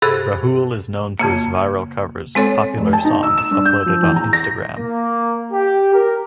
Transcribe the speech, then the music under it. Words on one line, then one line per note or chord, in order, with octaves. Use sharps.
Rahul is known for his viral covers of popular songs uploaded on Instagram.
G2 C3 G#4 A4 F#6
F2 C#3 A#3
G#3 C4 A4 C#5
F1
A5
D#4
E6
E7
G2
G6
F3
E2
A#5
A#6
A#3
G4
A#4